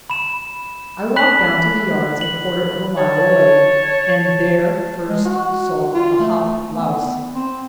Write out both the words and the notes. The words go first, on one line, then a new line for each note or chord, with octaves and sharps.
I walked down to the yards, a quarter of a mile away, and there first saw the hop louse.
B5 E7
B5 F#6 B6 F#7
F#7
C#5 A5
G#3
F#4
F4
A3
B3
C4